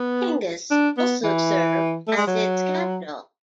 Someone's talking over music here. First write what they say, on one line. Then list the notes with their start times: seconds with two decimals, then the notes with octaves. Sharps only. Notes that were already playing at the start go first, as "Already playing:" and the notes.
Tingis also served as its capital.
Already playing: B3
0.71 D4
0.97 B3
1.24 E3
2.08 A3
2.17 G#3
2.27 F#3